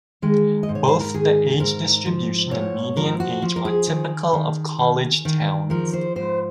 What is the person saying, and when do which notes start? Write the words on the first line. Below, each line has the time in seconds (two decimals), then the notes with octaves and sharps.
Both the age distribution and median age are typical of college towns.
0.22 D#3 G#3
0.63 D#5
0.69 G#2
0.75 C#5
0.88 C5
1.01 A#4
1.14 D#3 G#4
1.60 G#2 A#4
2.06 F3
2.51 G#2 C#5
2.96 F3 A#4
3.20 F#4
3.42 F3
3.56 A#4
3.65 G#4
3.87 D#3
4.33 D#3
4.79 D#3
5.25 D#3
5.70 F3 A#4
5.93 C5
6.16 G#2 C5